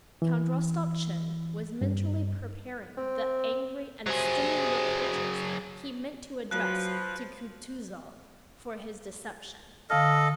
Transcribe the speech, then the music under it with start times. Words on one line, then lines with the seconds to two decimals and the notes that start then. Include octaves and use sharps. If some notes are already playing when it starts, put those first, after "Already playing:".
Count Rostopchin was mentally preparing the angry and stinging reproaches he meant to address to Kutuzov for his deception.
0.22 E3
1.81 G2
2.97 C4
4.06 C3 F#3 G#4
6.51 F3 F#3 B4 F#6
9.90 D3 A4 D#5 F5 F6